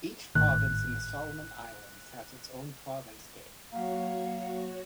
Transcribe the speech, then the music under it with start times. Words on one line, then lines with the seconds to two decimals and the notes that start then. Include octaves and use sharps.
Each province in the Solomon Islands has its own Province Day.
0.35 G#1 A2 D#3 F#6
3.72 F#3 A#3 F#4 C#5 F5